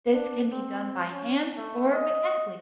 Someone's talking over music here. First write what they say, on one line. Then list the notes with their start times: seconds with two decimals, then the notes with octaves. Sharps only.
This can be done by hand or mechanically.
0.14 D4
0.52 C4
1.12 C#4
1.57 A3
1.93 D#5